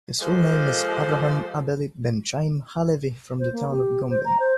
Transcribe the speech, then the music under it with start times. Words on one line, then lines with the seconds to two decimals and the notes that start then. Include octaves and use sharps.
His full name is Avraham Abele ben Chaim HaLevi from the town of Gombin.
0.20 F3 G#3 A#3 G4 A4 C5
3.39 C5
3.52 A#3
3.71 G4
4.10 C5
4.25 A#5
4.40 C5